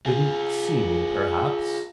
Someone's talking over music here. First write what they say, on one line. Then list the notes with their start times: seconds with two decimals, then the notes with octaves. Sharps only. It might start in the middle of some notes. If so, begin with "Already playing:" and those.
Didn't see me perhaps.
0.06 F4 G#4